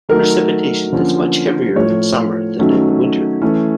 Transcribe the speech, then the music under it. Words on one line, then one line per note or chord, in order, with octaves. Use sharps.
Precipitation is much heavier in the summer than in the winter.
D#3 F#3 A3 A#4
D3 F3 A#3 C#4
A2 F3 A3 C#5
D#3 F#3 A3 C#4
E3 A3 C#4